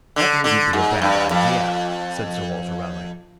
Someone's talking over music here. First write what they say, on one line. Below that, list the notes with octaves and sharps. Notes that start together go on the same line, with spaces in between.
"That wouldn't be a bad idea," said Sir Walter Raleigh.
D3
D3
G#2
G2
F2